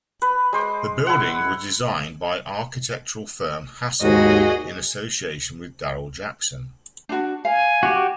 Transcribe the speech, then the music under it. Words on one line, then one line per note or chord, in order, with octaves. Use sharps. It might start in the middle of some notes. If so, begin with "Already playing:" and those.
The building was designed by architectural firm Hassell, in association with Daryl Jackson.
B4
G#3 C5 D6
E4 F#5
D#2 G#2 F#4 G#4 D#5
D4 F#4
F5 G#5
F#4 G4